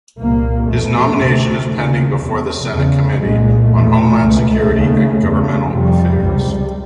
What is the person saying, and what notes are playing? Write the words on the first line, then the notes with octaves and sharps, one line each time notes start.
His nomination is pending before the Senate Committee on Homeland Security and Governmental Affairs.
C2 A#2 A#3
E2 B2 A3
D2 C3
D#2 C#3
E2 C3
E2 C#3
C2 A#2 G#3
E2 B2 A3
C#2 B2
D#2 C#3
E2
C#3
F2 C3 G3
C#2 C3